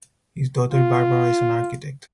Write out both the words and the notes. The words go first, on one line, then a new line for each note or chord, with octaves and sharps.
His daughter Barbara is an architect.
F4